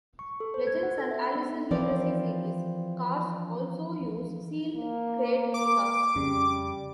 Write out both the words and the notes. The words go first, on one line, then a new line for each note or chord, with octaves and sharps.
Legends and Allison Legacy Series cars also use sealed crate motors.
C#6
A4
C5
G#6
F#5
A4
E5
B5
B3
E3 F3 C4 A#4 D5
A#3
D6
F2 C#3 G3